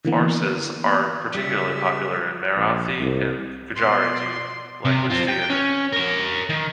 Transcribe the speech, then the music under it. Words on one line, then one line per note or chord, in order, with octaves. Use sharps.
Farces are particularly popular in Marathi and Gujarati language theatre.
D3 E3 A#3 B3
C#3 G3 E5
A#1
C2
B2 D5 C6
C3
C4 F4
G5
C#4
A#4 C#5
D#3